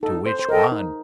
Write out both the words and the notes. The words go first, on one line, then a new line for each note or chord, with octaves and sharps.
"To which one?"
D#4 A4
C5
C5
A4 A#4 D#5 G5
D#4